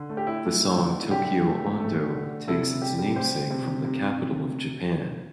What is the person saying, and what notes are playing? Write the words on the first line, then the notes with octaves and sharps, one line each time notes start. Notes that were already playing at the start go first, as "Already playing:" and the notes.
The song "Tokyo Ondo" takes its namesake from the capital of Japan.
Already playing: D3
A3
G4
E4
A3
D3
E4
D3 G4
A3
A3
D3
C3 E4 A4
G3 G4
G4
G3 G4 C5
C3
C3